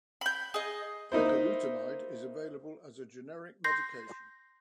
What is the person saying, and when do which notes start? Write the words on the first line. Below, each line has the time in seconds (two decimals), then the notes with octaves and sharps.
Bicalutamide is available as a generic medication.
0.21 B5 G6
0.54 G#4 D#5
1.12 A#3 D#4 E4 C5
3.64 C6 G6 A#6 C7